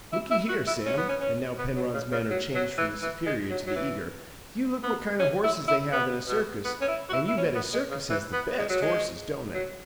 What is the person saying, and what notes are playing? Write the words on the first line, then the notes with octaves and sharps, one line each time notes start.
Looky here, Sam"--and now Penrod's manner changed from the superior to the eager--"you look what kind of horses they have in a circus, and you bet a circus has the BEST horses, don't it?
E4
E4
F#4
E4
C#4
B3
C#4
C#4
B3
F#3
C#3
C#3
F#3
F#3
E3
E3
G#3
F#3
F#3
E3
B3
C#4
E4
E4
B3
B2
B3
C#4
E4
F#4
E4
E4
C#4
B3
G#3
C#3
E3
B3
G#3
F#3
G#3
F#3